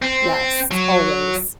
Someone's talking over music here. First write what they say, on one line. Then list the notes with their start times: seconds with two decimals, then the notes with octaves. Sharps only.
Yes, always.
0.02 C4
0.71 F#3